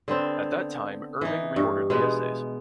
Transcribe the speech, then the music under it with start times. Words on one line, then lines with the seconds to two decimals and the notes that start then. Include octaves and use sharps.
At that time, Irving reordered the essays.
0.08 D3 B3 C4
1.21 E3 D#4
1.56 G2
1.90 B2 G#3 B3